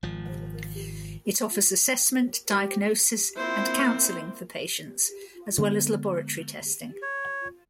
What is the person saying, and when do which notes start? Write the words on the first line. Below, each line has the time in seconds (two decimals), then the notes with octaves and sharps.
It offers assessment diagnosis and counselling for patients as well as laboratory testing.
0.03 G#1 F3
2.52 G4
3.37 A#3 C4 E4 C5
5.58 D3 G#3 A#3 B3
7.02 C#5